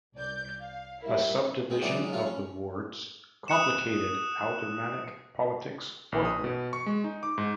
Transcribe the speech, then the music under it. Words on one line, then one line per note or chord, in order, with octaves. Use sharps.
A subdivision of the wards complicated aldermanic politics forthwith.
C2 D5 G6
F5
G3 E4 A#4 E5
G#3 C4
E3 F#3 G#3 F#4 D5
F#3 G#3
F3 F#3 A3 F4
C#4
D#6 F#6 C#7 E7
A#1
D#6
B2
C#6
G#3
D#4
D6
G#2